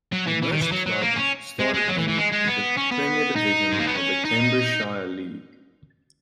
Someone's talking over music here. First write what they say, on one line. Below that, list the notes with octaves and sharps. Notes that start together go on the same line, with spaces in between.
The merged club started in the Premier Division of the Cambridgeshire League.
F#3
E3
E3
D#3
E3
F#3
F#3
A#3
C#4
G#3
G#3
F#3
E3
E3
G#3
G#3
B3
C#4
B3
D#4
G#3
A#3
B3
C#4
D#4